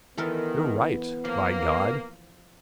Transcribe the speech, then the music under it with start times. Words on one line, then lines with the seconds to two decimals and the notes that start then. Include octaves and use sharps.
You're right, by God.
0.18 D#3 E3 B3 F4 A4 A#4
1.25 F3 A#3